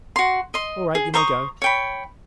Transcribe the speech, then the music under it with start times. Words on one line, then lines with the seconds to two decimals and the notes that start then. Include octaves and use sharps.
'All right, you may go!'
0.16 F#4 C6
0.54 D#5 C6
0.95 G#4
1.14 C5 A#5 C#6 D#6
1.62 C#5 G5 B5